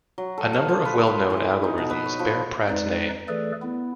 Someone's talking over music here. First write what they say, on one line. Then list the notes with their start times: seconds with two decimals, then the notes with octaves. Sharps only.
A number of well-known algorithms bear Pratt's name.
0.18 F#3
0.38 A4
0.53 F5
0.69 F4
0.85 B4
1.07 C6
1.30 E3
1.64 D#4
1.78 B2
1.90 B4
2.06 C#5
2.19 F3
2.69 F2 G#3 D#4 B4 D5
3.28 E3 A3 G#4 A4 B4 D5
3.62 B3 E4